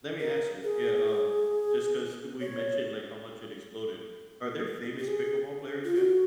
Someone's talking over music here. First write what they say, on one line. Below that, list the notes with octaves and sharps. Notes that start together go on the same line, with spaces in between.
let me ask you yeah, um, just 'cause we mentioned, like, how much it exploded. Are there famous pickleball players yet?
A#4
G#4
C#5
G4
G#4
F4
F#4